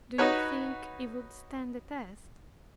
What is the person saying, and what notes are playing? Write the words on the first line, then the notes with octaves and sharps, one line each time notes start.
"Do you think he would stand the test?"
D#4 F#4 B4 C#5